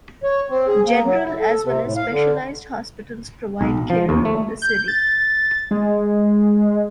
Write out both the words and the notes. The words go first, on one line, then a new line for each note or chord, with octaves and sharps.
General as well as specialized hospitals provide care in the city.
C#5
C4
G#4
A#3
F#3
E4
A4
C3
A2
F5
D3
B1
F3
D#2
A3
G6
A6
G#3